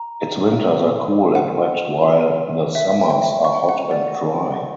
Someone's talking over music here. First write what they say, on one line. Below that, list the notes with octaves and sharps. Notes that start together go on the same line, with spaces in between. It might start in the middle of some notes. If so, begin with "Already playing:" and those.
Its winters are cool and wet while the summers are hot and dry.
Already playing: A#5
F#5
E5
G5
C#6
F#5
D5
F#5